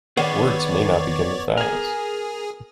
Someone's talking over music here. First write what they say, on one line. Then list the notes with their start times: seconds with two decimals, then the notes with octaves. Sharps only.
Words may not begin with vowels.
0.17 D#3 B3 G#4 C#5 D5
1.57 G#4 A#4 G#5